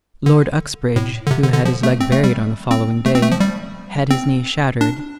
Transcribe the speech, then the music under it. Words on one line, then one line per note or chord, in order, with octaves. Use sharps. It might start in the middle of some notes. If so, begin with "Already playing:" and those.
Lord Uxbridge, who had his leg buried on the following day, had his knee shattered.
D3
A2
D3
C3
D3
D3
F3
A3
C4
A3
G3
C4
A3
C4
A3
F3
G3
C4
D4